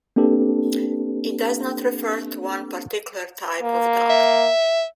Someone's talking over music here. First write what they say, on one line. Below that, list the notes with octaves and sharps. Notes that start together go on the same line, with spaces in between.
It does not refer to one particular type of dog.
A#3 C4 D4 G4 A4 B4
A#3
E5